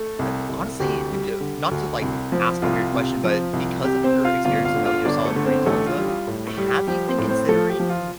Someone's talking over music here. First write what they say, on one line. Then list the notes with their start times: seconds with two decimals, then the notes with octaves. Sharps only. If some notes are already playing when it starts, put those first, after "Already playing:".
Uh, d Honestly, uh, d not to, like, ask a weird question, but because of your experience in Metal Gear Solid Three Delta, have you been considering,
Already playing: A3 A4
0.19 C2
0.49 C2
0.80 D2 G4
1.10 G3
1.40 D3
1.71 D2
2.02 C2
2.32 F3
2.62 C2 F4
2.93 C3
3.24 F3
3.53 C2
3.84 C3 G4
4.04 C4 C5
4.14 C3
4.25 F4 F5
4.45 G1 F4 F5
4.65 F4 F5
4.75 D3
4.85 F4 F5
5.05 G1 D4 D5
5.25 A3 A4
5.36 D3
5.46 C4 C5
5.66 A1 A3 A4
5.86 F4
5.97 G3
6.07 F4
6.27 A2
6.48 A3 A4
6.57 G3
6.68 G4
6.87 F3 G4
7.08 C4 C5
7.18 A2
7.29 C4 C5
7.49 F3 A3 A4
7.69 G4
7.80 F3
7.89 F4